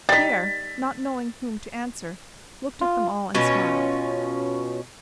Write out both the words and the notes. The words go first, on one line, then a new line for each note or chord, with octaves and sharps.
Pierre, not knowing whom to answer, looked at them all and smiled.
G3 D#4 A6 B6
F4
B2 C#4 F4